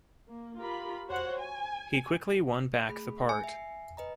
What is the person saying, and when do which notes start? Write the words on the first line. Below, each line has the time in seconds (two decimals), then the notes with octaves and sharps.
He quickly won back the part.
0.27 A#3
0.59 F4 G4 A#4 B5
1.07 F#4 C5 C#5 F#5
1.39 G#5
2.89 A3 G#4 B5
3.29 G#5
3.44 E5 C7
3.97 B4 D#5 A#5